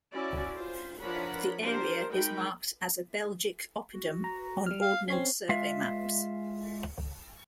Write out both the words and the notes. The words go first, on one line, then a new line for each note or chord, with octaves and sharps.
The area is marked as a "Belgic oppidum" on Ordnance Survey maps.
C#4 E4 F#4 D5
F4 C5
F3 D4 A#4 C#5 F#5 B5
D4 G4 A#4 C5
G#3 D#4 F#4 A#4 G5 B5
F#4
A#5
G3 F6
F5
C4 C#4 C#5 C7
G#3 F4 E5 F5